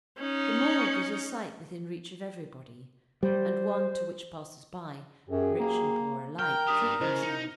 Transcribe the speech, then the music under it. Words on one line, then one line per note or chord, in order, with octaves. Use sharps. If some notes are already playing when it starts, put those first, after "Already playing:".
The morgue is a sight within reach of everybody, and one to which passers-by, rich and poor alike, treat themselves.
C#4 D#4
G3 C5
F#2 F#3 G4 G#4
A#3
A#4 G5 F6
D4 G4 D#6
C#3 E4 C5 D#5
D#4 C#7